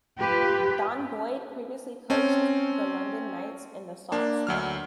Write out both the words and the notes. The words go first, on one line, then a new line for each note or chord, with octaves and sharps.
Don Boyd previously coached the London Knights and the Sault Ste.
F4 G4 B4
C4 C#4 A5
A#3 D4
D2 F#3 F6